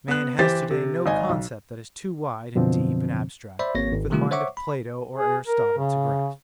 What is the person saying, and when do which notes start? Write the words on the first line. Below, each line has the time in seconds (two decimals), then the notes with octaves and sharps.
Man has to-day no concept that is too wide and deep and abstract for the mind of Plato or Aristotle to grasp.
0.08 B3 F#6
0.39 E3 G4 C5 A6
0.71 C3
1.06 G#1 D#5 G#5
1.29 B1
2.55 F#2 B2 D3 F3 C4
3.59 C5 D5 E5 B5
3.75 G#1 A#3 C4 C#5 A#6
3.93 G#1
4.10 C3 D#3 G3 A3 F4 G4
4.31 C5 C#5 E5 F#5 C#6 D6
4.57 B5
5.15 G#4
5.47 A#4
5.78 C#3